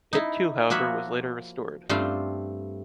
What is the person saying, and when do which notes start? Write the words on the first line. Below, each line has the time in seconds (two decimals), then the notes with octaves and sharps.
It too however was later restored.
0.13 D#4 E4
0.70 F3 A#3 F#4 C#5 E5 B5
1.89 G2 G3 A3 C4 F4